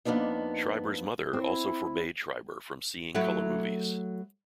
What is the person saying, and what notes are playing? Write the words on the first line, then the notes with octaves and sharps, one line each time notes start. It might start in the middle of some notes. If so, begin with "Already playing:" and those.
Schreiber's mother also forbade Schreiber from seeing color movies.
F2 A#3 B3 D4 D#4
C4 E4
F#3 A3 E4